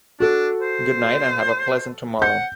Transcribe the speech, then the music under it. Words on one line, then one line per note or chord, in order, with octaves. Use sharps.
Goodnight and have a pleasant tomorrow.
D4 F#4 A4
C5
F#5 G6